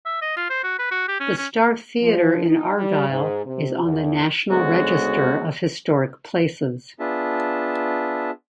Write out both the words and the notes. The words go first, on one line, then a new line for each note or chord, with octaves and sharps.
The Star Theatre in Argyle is on the National Register of Historic Places.
E5
D#5
F4
C5
F#4
B4
F#4
G4
C#4
C#4
F3
D#4
G3
G#2
C3
E2
D2 C#3 G#3 B3 F#4
B3 D4 F4 G#4 E5 A5